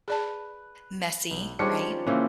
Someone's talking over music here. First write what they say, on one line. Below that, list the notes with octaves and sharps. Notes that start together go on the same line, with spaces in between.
messy, right?
G#4 B4 D5 A5
B1
D#3 F3 G3 C#4 D4 G#4 C#7
C#3 E3 A#3 C4 C#4